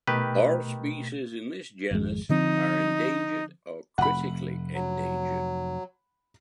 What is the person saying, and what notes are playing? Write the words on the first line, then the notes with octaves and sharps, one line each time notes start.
All species in this genus are endangered or critically endangered.
B2 D#3 A3 G4 B4
G#1 F2 G#3
D3 F3 C4 D#4
F1 F#5 B5
F#3